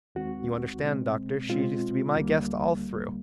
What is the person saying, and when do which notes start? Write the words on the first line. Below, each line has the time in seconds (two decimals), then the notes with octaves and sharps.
You understand, Doctor, she is to be my guest all through.
0.15 D#2 D#3 G#3 C4 F#4
0.82 B2 G#3 C4
1.49 B2 G#3 C4 F4
2.16 D2 D3 G3 A#3